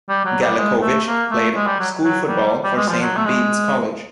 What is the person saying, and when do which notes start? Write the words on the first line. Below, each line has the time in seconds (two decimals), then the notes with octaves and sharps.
Galekovic played school football for Saint Bede's College.
0.09 G3
0.25 F#3
0.41 G3
0.57 G#3
0.81 A3
1.06 A#3
1.30 A3
1.55 G#3
1.67 G3
1.79 F#3
2.03 F#3
2.27 G3
2.64 G3
2.76 G#3
2.88 F3
3.01 F#3
3.17 A3
3.25 G#3